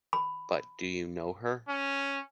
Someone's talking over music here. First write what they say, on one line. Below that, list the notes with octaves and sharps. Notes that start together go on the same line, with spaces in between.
But do you know her?
B5
C#4